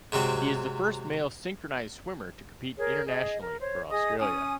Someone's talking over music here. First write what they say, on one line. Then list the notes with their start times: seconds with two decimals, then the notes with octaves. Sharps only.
He is the first male synchronised swimmer to compete internationally for Australia.
0.12 G#2 C3 F#3 C4
2.77 G#4 A#4 C#5
3.07 G#4 D#5
3.41 A#4
3.60 C5 C#5
3.89 G#4 D#5 D#6
4.20 C#4 G#5 D#6